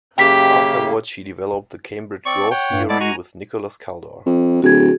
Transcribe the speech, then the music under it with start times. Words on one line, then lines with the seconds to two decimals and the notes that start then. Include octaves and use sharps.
Afterwards she developed the Cambridge growth theory with Nicholas Kaldor.
0.18 F#2 C#3 A#3 G4 G5 B6
2.26 C4 D5 C#6
2.51 C#5 F#5 G5
2.71 G2
2.89 G#3 B3 E4 A4 D5
3.00 F#4 G#5 A#5
4.26 F2
4.62 D1 F#4 G#4 G#6